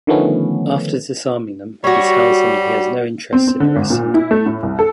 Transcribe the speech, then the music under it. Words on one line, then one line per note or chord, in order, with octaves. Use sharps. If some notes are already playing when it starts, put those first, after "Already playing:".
After disarming them, he tells them that he has no interest in arresting them.
D3 D#3 F3 A3 B3 C#4
G3 F#4 C#5
C4
C4
D3
G#1
A#2
E4
A3
A2
C2
A4